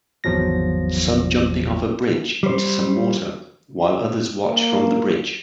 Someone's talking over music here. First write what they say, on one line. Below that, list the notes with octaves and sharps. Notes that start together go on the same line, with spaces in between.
Some jumping off a bridge into some water while others watch from the bridge.
G#1 E2 F3 F#3 A#6
G3 C5
A#3